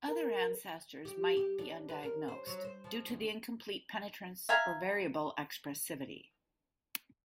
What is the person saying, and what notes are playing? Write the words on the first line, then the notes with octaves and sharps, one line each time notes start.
Other ancestors might be undiagnosed due to the incomplete penetrance or variable expressivity.
A#4
G4
G4
D4
B4
A#4
C5
F#3
C5
F3
D2
E5 F5 G#5 A#5